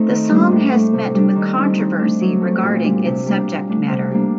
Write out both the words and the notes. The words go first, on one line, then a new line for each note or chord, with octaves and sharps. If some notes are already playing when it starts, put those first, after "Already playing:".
The song has met with controversy regarding its subject matter.
Already playing: A3 C4 D#4
D#3
G3 A#3 D4
A2
A3 D4
C3
G3 D4
D#3
G3 C4 D#4
D#3
A3 D4
F#3
A3 C4
A#2
G3 D4
C3
G3 A#3 D4
A#2
A3 D4
C3
G3 A#3 D4